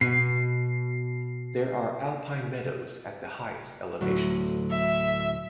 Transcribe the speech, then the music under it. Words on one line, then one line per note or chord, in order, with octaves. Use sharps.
There are alpine meadows at the highest elevations.
B2 C7
D2 A2 F#3
E5